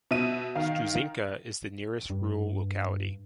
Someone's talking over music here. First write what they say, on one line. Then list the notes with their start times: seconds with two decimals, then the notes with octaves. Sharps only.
Stuzhenka is the nearest rural locality.
0.11 B2 E5 D#7
0.55 D#3 F5
2.10 G2